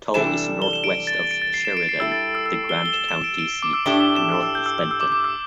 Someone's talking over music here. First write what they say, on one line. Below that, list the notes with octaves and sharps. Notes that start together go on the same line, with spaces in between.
Tull is northwest of Sheridan, the Grant County seat, and south of Benton.
C3 E3 G3 D4 A4 E7
G7
E7
D7
A6
D7
A6
C7
E7
D7
A6
C7
G3 E4 A4 E6
A6
E6
E6
G7
G7
E7
E7
D7
D7
D6
E6
A2 A3 D4 G4 G7
G7
E7
E6
E6
G6
E6
E6
E6
D6
D6
E6